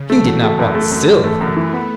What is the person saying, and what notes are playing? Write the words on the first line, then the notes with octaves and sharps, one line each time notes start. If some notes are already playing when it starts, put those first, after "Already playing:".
He did not want silver.
Already playing: C#3
E3 A3
F#3
A3
F#2
A3
F#2
F#2
A3
F#2
E3 A3
B3